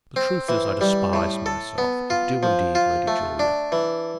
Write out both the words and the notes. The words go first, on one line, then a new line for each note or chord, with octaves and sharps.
The truth is, I despise myself;--I do indeed, Lady Julia.
C4
E3
G3
A2
A4
B3
F4
F3
F4
A3
D4
E3